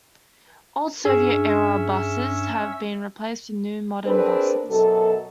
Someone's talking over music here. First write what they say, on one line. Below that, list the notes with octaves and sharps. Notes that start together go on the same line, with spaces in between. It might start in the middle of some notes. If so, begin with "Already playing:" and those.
Old Soviet-era buses have been replaced with new modern buses.
G2 C#4 G#4 E5 E6
C4 D4 G#4 A#4 B4
F#2 B2 F#3 A4